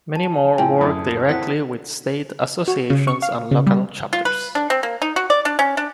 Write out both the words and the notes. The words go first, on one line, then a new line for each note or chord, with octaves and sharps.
Many more work directly with state associations and local chapters.
A5
A2 F3 C4 G5 G#5
F#2 E4 B4 D#6
E3 C4 A4 A#4 F#5 B6
F#4
C#3
C#6
F5
C#3
G3
F4
B4
D4
C4
A#3
D#4
F#4
D5
D4
C#4
D4